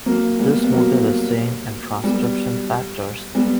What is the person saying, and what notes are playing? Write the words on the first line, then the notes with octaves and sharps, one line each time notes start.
This motif is seen in transcription factors.
F#3 A#3
G3 B3
B3
F#3 A#3
G3 B3
G3 B3